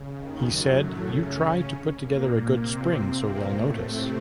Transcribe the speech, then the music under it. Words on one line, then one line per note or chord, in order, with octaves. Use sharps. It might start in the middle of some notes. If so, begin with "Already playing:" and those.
He said: You try to put together a good spring so they'll notice.
Already playing: C#3
D#2 D#3
F#2 F#3
A2 A3
C#3 C#4
A#2 A#3
C3 C4
A#2 A#3
A2 A3
C3 C4